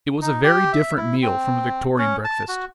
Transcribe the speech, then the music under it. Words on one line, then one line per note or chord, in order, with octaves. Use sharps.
It was a very different meal from a Victorian breakfast.
D#4
G4
E5
E4
C4
C#4
A5
F#4